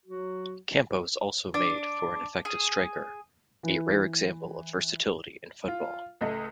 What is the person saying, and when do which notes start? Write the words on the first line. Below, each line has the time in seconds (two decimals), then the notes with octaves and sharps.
Campos also made for an effective striker, a rare example of versatility in football.
0.06 F#3 F#4
1.54 D4
2.45 G#4
3.63 E3
5.68 F4
6.21 C#2 A3 D#5